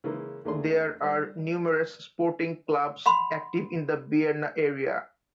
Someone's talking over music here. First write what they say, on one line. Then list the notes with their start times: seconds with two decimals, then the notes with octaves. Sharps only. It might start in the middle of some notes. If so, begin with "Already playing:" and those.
There are numerous sporting clubs active in the Bearna area.
0.04 C#3 E3 G#3 A#3
0.45 E2 A3 A#3 D4 G#4 C6
1.03 G3 C5
3.06 F#5 B5 C6